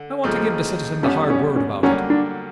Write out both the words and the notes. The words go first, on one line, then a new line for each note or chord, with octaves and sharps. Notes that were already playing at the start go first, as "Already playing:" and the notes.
I want to give the citizen the hard word about it.
Already playing: D3
D#2 C#3 F3 A3
F2 D3 G3 B3 C#4
C#4
C#4
G2 D3 F#3 A#3 C#4
D4